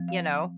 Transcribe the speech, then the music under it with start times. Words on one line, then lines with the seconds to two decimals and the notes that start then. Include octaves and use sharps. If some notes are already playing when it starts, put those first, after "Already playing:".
you know.
Already playing: F3 C4
0.08 F5